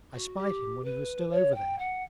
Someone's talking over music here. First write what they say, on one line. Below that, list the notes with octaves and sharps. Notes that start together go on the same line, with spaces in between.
I spied him when he was still over there.
F#4
G4
B4
C#5
G5
F#5